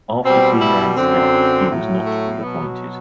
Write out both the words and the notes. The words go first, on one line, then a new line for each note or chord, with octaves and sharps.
After Queen Anne's death he was not reappointed.
B2 G3 C4
E4
F#2 D3 F#3 C4
A2 F#3
A3
B2 F#3 B3